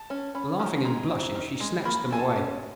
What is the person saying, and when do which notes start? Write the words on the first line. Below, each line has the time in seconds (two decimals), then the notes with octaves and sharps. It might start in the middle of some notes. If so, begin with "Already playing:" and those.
Laughing and blushing, she snatched them away.
Already playing: A5
0.10 C#4
0.35 C#4 B5
0.59 F3 A#5
0.85 G#3 A#5
1.10 C4
1.35 D#3
1.60 G#3
1.85 A#3 B5
2.11 A4 G#5
2.19 A5
2.36 C#4